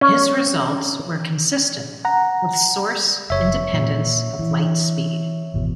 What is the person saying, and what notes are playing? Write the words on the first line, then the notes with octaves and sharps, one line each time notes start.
His results were consistent with source independence of light speed.
C#4
F#5 A#5
F#1 C#5 E5
A#2
E3
G#1 E2 B2